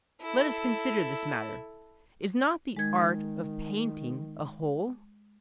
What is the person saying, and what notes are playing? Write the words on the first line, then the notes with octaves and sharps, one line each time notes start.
Let us consider this matter; is not the art of painting a whole?
E4 A4
D#3 G#3 G#6